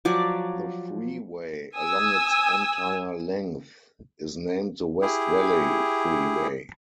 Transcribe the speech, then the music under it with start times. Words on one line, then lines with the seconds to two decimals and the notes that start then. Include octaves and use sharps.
The freeway, along its entire length, is named the West Valley Freeway.
0.05 F3 F#3 D5
1.76 G#5 D#6 E6
5.02 E4 G4 G#4